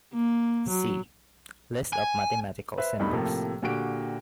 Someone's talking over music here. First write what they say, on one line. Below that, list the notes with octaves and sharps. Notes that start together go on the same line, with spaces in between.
See: List of mathematical symbols.
A#3
F#3
G#5
B4 C5 E5
E1 G2 A3 D#4 B5
A2 C3 F3 A#3 A4
A#2 D3 F#4 G4 G5 D7